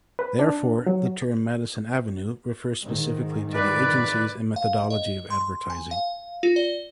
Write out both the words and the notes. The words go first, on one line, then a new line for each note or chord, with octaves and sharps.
Therefore, the term "Madison Avenue" refers specifically to the agencies, and methodology of advertising.
B4
D4
F#3
G#2 D#3
B4 D5
F5
D#5
C6
G#5
F5
F4
D5